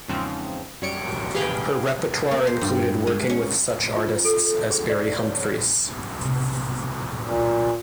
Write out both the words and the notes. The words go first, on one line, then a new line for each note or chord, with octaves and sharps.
Her repertoire included working with such artists as Barry Humphries.
E2 G#2 C#3 F3 C4
F#2 G3 C#5 C#7 D7
G4 G#4 B4 F5 G5
A#3
C5
G2
G#3
C#4
F4
A4
G#4
D5
C#5
B1 C3
A#2